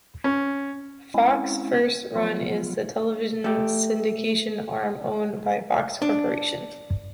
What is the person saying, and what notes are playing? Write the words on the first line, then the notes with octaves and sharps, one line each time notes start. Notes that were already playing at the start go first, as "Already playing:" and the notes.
Fox First Run is the television syndication arm owned by Fox Corporation.
C#4
G#3 C4 C#4 E4
F3 F#3 B3 F4
A3 G4
D4